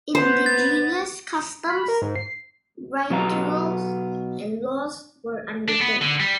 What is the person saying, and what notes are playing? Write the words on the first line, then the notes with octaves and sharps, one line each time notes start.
Indigenous customs, rituals and laws were unwritten.
B3 B4 C5
A6
B5
A#4
G#2
C7
B2 F#3 B3 F5 A#5
D4
B3
D3
G3